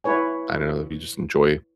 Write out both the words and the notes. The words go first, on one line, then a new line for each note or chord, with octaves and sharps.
I don't know, we just enjoy
E4 B4 C#5 G#5